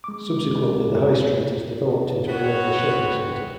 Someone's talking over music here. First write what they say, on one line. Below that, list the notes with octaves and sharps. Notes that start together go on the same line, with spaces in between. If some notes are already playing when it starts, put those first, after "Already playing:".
Subsequently the High Street has developed into a local shopping centre.
G#3 D6
B3 C4 F#4 B4 C#5